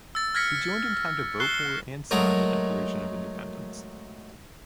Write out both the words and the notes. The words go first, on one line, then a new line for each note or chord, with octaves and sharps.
He joined in time to vote for and sign the Declaration of Independence.
E6 A6
F6 G#6 A#6 B6 C#7
C#6 F#6 C7 G7
F#3 G#3 A3 A#4